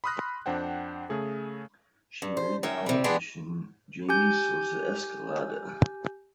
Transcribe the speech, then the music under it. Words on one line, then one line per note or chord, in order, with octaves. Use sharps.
She married the politician Jaime Sosa Escalada.
B5 C6 D#6 F6 F#6 A#6
F2 D4 C5 F#5 G5
C#3 A3 G#4 A4
G2
C5
F#2 C#4 A#4 E5 G5
C3 G3
G3 G#3 B3 D4 G4 G#4
G4 G#5 G6